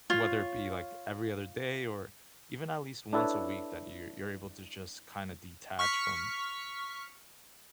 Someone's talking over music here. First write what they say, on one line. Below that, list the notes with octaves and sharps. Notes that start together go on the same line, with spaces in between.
whether it be, like, every other day or even at least once a week that you're you're able to just kind of detach from
F4 C#5
D4 E4 A4 B4 C#5
C#6 F6 B6